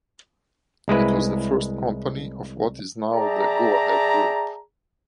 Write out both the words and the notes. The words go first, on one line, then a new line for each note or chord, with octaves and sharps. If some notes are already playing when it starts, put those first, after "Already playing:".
It was the first company of what is now the Go-Ahead Group.
C2 G#3 E4 B4
G#4 D5 E5 G5 A5 A#5